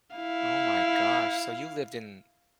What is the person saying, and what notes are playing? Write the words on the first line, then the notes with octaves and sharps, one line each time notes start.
Oh my gosh. So you lived in m
E4 F5